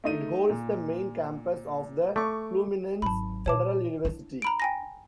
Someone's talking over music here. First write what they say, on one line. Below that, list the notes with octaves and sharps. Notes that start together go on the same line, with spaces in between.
It holds the main campus of the Fluminense Federal University.
A3 D#4 D#7
A#2
A3 C#6 D6
G#1 F#3 A5 B5
A#2 C#5 A5 D6
D4 E4
A#5 B5 D7
G5 G#5 A#6